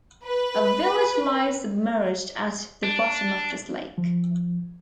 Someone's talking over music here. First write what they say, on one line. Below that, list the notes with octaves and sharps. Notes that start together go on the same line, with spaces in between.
A village lies submerged at the bottom of this lake.
B4
D4
F3